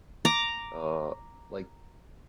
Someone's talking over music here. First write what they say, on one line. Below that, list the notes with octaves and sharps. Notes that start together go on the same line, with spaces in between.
Uh, like
A#5 D6